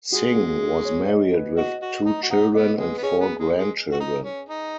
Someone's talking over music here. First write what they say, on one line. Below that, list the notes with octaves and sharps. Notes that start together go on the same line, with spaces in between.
Singh was married with two children and four grandchildren.
G#3 F#4
G#4
G#4
C#5
D#5
B4
F#4 D#5
F#4
D#4
F#4
D#4 F#5
B3 D#5
G#3 B4
B3
C#4 G#4
B3
G#3
G#3
F#4
D#4
C#4
D#4